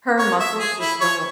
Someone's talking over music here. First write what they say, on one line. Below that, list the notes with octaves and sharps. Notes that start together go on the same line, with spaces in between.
Her muscles just don't
C#5
E5
G#4
E4
C#5